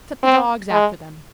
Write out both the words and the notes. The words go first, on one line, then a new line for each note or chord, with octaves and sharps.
'Set the dogs after them.'
C4
G#3